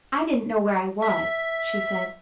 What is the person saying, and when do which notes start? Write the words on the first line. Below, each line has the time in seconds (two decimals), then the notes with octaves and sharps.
"I didn't know where I was," she said.
1.02 E5